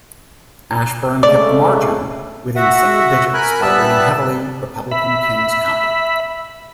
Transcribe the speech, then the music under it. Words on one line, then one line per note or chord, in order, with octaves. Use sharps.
Ashburn kept the margin within single digits by winning heavily Republican Kings County.
C#3 G#3 A3 D5
F#4 E5 F#5
A#4 G#5 B5 F#6
G3 B3 E5 A5 E6 F#6
E5 B5